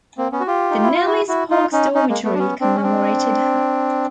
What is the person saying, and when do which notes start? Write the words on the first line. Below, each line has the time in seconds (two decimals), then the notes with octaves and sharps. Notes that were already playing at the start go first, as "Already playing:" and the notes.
The Nellie Sparks Dormitory commemorated her.
0.18 A#3 C4
0.32 B3 C#4
0.40 F#4
0.47 F4 G4
0.71 D#4
0.83 E4
0.94 F4
1.06 E4 F#4
1.28 E4 F#4
1.50 D#4 F4
1.72 C#4 D#4
1.95 C#4 D#4
2.09 G#3 A#3
2.24 A3 B3
2.34 D4
2.39 B3 C#4
2.61 C4 D4
2.75 C#4
2.83 C4 D4